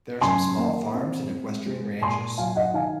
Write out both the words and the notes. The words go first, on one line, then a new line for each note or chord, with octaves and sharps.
There are some small farms and equestrian ranches.
F#2 G#5 C6
A#3
C4
G#3
G#3
A#2 G#5 C6
F#3 F5 G#5
D#5 F#5
D#3 F5 G#5